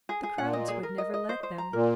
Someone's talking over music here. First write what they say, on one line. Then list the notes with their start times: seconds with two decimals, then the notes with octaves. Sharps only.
The crowds would never let them.
0.09 G#4
0.23 G#4
0.38 A#2 F#5
0.53 D#5
0.68 G#4
0.83 A#4
0.98 D#5
1.14 D#5
1.29 C5
1.43 C5
1.58 A#5
1.73 A#2 A#4